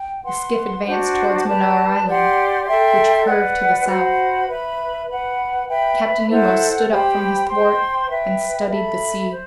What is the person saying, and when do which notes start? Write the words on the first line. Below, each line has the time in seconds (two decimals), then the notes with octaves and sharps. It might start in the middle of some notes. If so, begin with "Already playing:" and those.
The skiff advanced toward Mannar Island, which curved to the south. Captain Nemo stood up from his thwart and studied the sea.
Already playing: G5
0.24 B4 F#5 C6
0.85 D4 F#4 C5 F#5
1.45 G4 B4 D5 A5
2.06 G4 D5 F#5 C6
2.66 A4 E5 G5 C6
3.27 B4 D5 F#5
3.87 F#4 C5 F#5 B5
4.47 B4 E5 B5
5.08 B4 F#5 B5
5.68 B4 E5 G5 B5
6.29 E4 A4 C5 F#5
6.90 G4 C5 G5 B5
7.50 C5 G5 C6
8.10 B4 E5 G5
8.70 A4 E5 B5
9.31 C5